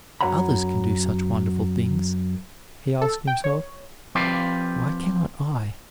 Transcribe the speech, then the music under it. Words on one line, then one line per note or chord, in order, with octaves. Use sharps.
"If others can do such wonderful things," he asked himself, "why cannot I?"
F#2 F#4 C#5 F#5 A#5 B5
A4
G5
C#5
F3 C4 F4 G4 B4 D5